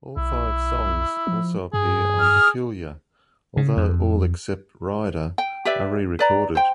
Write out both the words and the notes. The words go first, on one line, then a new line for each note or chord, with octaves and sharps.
All five songs also appear on "Peculiar", although all except "Rider" are re-recorded.
B1 E4
F3
G2 G#4
D#6 F6
C#3
F2
G5
G4 B4 D5 E5
B4 D5 A#5
C5 G5